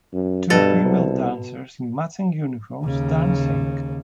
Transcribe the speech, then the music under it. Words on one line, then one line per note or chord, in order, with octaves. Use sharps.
Two female dancers in matching uniforms dancing.
F#2
G2 B2 A4
C2
D#2 C#3